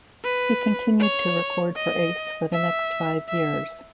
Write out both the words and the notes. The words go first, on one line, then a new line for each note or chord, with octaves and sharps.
He continued to record for Ace for the next five years.
B4
C#5
D#5
E5
E5